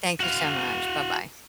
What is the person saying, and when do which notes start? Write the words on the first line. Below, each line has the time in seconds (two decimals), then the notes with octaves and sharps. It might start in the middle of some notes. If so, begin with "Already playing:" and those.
Thank you so much. Bye bye.
0.20 F#4 F5